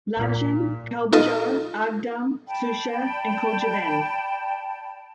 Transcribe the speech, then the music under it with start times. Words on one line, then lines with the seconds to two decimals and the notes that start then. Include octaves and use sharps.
Lachin, Kalbajar, Agdam, Shusha and Khojavend.
0.16 A#2
1.13 D#4 F4 A4 D#5
2.48 D5 G5 A5 B5